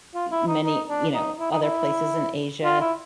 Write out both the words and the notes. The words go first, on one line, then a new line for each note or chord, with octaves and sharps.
eh, many, you know, other places in Asia
F4
E4
D#4
D#4
D4
D#4
E4
D#4
E4
F4
E4